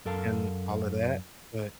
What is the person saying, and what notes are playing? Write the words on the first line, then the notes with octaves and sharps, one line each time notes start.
and all of that, but
F#2 A4 A#4 F5 A5